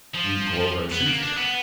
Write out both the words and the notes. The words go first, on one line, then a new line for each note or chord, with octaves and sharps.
"You call her Cynthia?"
F3
B3
A#3
D4
B3